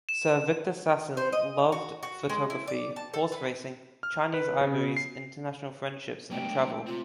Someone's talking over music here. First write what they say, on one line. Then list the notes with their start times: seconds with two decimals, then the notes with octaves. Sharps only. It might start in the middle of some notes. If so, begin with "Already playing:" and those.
Sir Victor Sassoon loved photography, horse racing, Chinese ivories, international friendships and travel.
0.09 E7
1.17 C5
1.32 D#5
1.72 F#4
2.03 F#4
2.29 G#3
2.50 E4
2.67 D5
2.96 A5
3.14 A4
3.32 B4
4.03 F6
4.34 B4
4.61 C#3
4.97 C7
6.31 F#3 G#3 A3 B3 D4 G5
6.86 C3 C4 F4